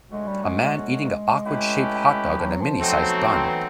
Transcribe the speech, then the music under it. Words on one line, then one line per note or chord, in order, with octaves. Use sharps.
A man eating a awkward shaped hotdog on a mini sized bun.
D3 F#3 G#3 A3 C#4 F#4
G3
G#3
G#3
G#3
A3 C#4 E4 G4 B4
G#3
F#3
F3
F#3
F3
B2 F#3 A3 C4 D#4
E3